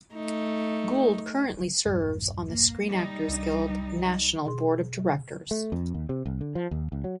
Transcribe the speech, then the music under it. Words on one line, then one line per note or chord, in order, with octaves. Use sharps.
Gould currently serves on the Screen Actors Guild National Board of Directors.
A3 D#4
E1 A#1 G2
A#3
G3 D#4
C2 D4
B2 G#4 C6
A3
F2
D#2
C3
C2
D3
F3
D#2
C#2
F#3